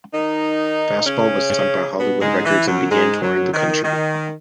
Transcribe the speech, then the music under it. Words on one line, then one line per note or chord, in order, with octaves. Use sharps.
Fastball was signed by Hollywood Records and began touring the country.
D#3 D#4
C#3 C#4
B2 B3
G#2 G#3
E3
F#2 F#3
G#2 G#3
F#2 F#3
D#3
D#3